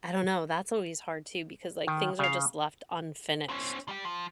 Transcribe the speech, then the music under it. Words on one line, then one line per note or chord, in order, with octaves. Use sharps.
I don't know. That's always hard too because like things are just left unfinished
D#3
C#3 F5
C4 C#4
G3 G4
F3